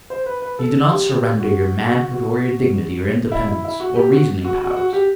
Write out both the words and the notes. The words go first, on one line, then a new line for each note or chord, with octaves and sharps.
You do not surrender your manhood or your dignity or independence or reasoning powers.
C5
B4
B4
A4
G4
F#4
F#4
F#4
E4
E4
E4
F#4
G4
F#4
F#4
F#4
F#4
G4